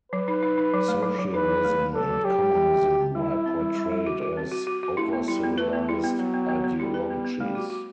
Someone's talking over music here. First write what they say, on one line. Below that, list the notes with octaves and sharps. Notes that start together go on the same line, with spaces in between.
Socialism and communism were portrayed as "overcivilized" ideologies.
F#3 B4
D#4
D#4
D#4
F#3
A3
F#3
F#3
D#4 B4
F#3
A3
A3
F#3 A4
F#3
F#3 G4
F#3
G3
G3
F#4
C4
G3 E4
G3
C4
G3
G3
G3
F#4
F#4
C4
F#4
F#4
F#4
A3 E4
B3
G3 E4
B3
A3 B4
B3
G3 E4
B3
F#3 B3
B3
B3
B3
G3 E4
B4
B3
B3
G3 A3
F#4
F#4